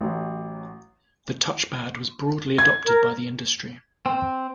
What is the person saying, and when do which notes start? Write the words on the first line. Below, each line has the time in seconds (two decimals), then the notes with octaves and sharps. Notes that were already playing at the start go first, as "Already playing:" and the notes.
The touchpad was broadly adopted by the industry.
0.01 A1 F#3
2.58 G#6
2.85 A#4
4.06 C4